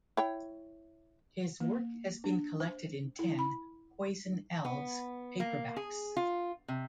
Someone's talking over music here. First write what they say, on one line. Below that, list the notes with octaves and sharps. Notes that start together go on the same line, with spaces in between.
His work has been collected in ten "Poison Elves" paperbacks.
E4 C#5 G5
A#3
D4
C5
E4
B5
B3
A#3
G#4
F4
C3